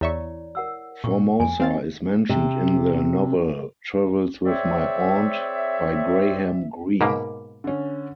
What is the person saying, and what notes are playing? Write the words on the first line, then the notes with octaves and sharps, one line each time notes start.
Formosa is mentioned in the novel "Travels with My Aunt", by Graham Greene.
E2 E4 C#5 D5 E5 C#6
A#4 F#5 E6
A#2 C#6
F2 G#5 D7
C4 F5 A6
C3
C4 G#4 C#5 D5 E5
G#2 B2 A#3 A#4 B5 D6
D3 C#4